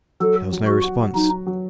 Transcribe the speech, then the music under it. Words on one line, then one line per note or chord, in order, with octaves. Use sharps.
There was no response.
F#3 A4
F#3
F#4
F#4
F#3 D#4
F#3